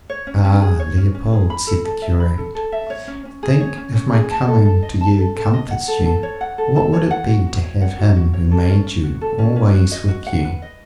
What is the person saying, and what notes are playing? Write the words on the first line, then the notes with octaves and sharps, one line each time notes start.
"Ah, Leopold!" said the curate, "think, if my coming to you comforts you, what would it be to have him who made you always with you!"
C#5
C#4
C#4
G#4
C#5
C#4
C#4
G#4
B5
A4
A4
E5
B5
A4
A4
E5
C#5
C#4
C#4
G#4
C#5
C#4
C#4
G#4
A5
A4
A4
D#5
A5
A4
A4
D#5
F#5
A4
A4
C#5
F#5
A4
A4
C#5
F#5
F#4
F#4
C#5
F#5
F#4
F#4
C#5
A4
C#4
C#4
F#4
A4
C#4
C#4
F#4
D#5
F#4
F#5
B4
D#5